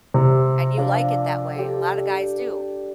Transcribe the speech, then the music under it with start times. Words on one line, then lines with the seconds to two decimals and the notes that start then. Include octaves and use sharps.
and you like it that way. A lotta guys do.
0.14 C3
0.77 F3 D4 D5
1.56 G4 A4